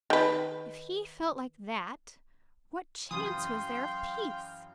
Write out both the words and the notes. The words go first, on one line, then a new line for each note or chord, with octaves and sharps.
If he felt like that, what chance was there of peace?
D#3 B4
F#2 E3 F5 G5 C6 D#6